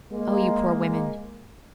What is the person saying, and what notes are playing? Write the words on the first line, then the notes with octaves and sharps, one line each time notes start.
O you poor women!
G#3 A#3